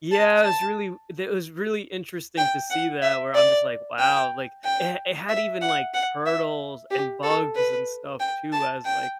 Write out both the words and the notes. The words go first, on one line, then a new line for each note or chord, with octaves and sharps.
Yeah, it was really w they it was really interesting to see that where I'm just like, "Wow," like, it it had even, like, turtles and bugs and stuff too as, like
A5
A5
G5
F#5
E5
D5
G5
G5
E5
F#5
F#5
E5
G4
A4
B4
G5
A5
G5